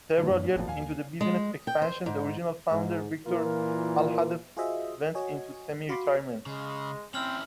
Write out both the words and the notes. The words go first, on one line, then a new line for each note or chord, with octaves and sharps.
Several years into the business expansion, the original founder, Victor Alhadeff, went into semi-retirement.
G2 A#2 D#3
F#2
G#1 F2 A#2 F3
D#2 F5 G#5
G#3
G5
C5
G#2
G#2
A#2 E3 F4 A#4
F4 F#4 G#4 C5 D#5 E5
F#4 C#5 D#5 G#5
F#4 F5 B5 C6 D6
C#3 G#3
C4 C#4 E4 E6 F6 F#7